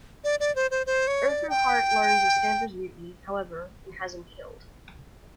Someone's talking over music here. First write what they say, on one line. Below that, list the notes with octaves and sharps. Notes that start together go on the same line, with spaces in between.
Urquhart learns of Stamper's mutiny, however, and has him killed.
D5
D5
C5
C5
C5
C#5
D5
G5